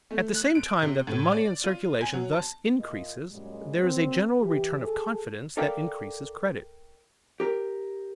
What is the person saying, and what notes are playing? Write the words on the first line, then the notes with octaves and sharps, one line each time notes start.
At the same time that the money in circulation thus increases, there is a general return of confidence that increases credit.
A3
F#6
D7
C3
A2
D5
F4
G#5
F#3
A5
A#2 A#3 E4 F4 D#5
F#2 A#2 G3 G#3
A#2 F#3 C4
E3 G4
G#4 A4
A4 A#4 D5 F5 G5
G4 A#4